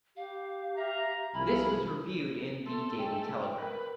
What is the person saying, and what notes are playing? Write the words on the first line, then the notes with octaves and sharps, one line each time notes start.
This was reviewed in The Daily Telegraph.
G4 F5
E5 F5 A#5
C2 F3 A#4 E5 G#5 B5
A3 A4 C6
G#3 G5
A#4 B4